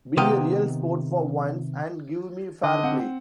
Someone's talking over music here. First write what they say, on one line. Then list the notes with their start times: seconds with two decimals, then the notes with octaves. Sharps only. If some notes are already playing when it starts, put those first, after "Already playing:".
Be a real sport for once and give me fair play.
0.17 C3 D#3 B3 G4 D#5 F5
2.63 D3 D#5
2.83 C4 F#5